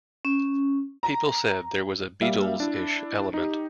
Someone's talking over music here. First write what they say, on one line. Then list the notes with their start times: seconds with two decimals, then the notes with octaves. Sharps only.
People said there was a Beatles-ish element.
0.25 C#4
1.03 A#5
2.21 G3 A#3 E5 F5
2.60 D4 E4
3.34 D#4 G4